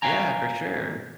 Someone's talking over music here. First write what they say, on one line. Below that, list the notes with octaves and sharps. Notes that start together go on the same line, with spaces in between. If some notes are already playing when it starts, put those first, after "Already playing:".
Yeah, for sure.
B4 C#5 F5 G5 G#5 A#5